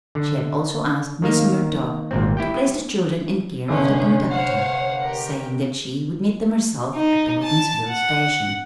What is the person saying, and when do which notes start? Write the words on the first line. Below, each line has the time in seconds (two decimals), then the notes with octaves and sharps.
She had also asked Miss Murdock to place the children in care of the conductor, saying that she would meet them herself at the Houghtonsville station.
0.15 D3
1.22 D#3 A#3 F5
2.11 G#1 A#2 C4
2.37 E4 G4 G5
3.68 G1 C3 C#4 D4 G#4
4.31 C5 C#5 F5 F#5
5.01 G4 A#4
6.95 D#4
7.43 A5
7.88 F#5